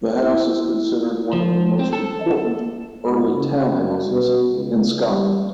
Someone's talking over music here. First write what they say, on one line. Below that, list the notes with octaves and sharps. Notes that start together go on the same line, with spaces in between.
The house is considered one of the most important early townhouses in Scotland.
E4
F3
C4
A4
G#2
C#3
F#2
B2
C#2
G3